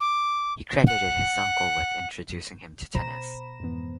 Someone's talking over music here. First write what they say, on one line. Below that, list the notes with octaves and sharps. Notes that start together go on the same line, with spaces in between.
He credited his uncle with introducing him to tennis.
D6
F#5
B2 C5 A#5 B5 A#6 E7
F2 G#2 E3 B3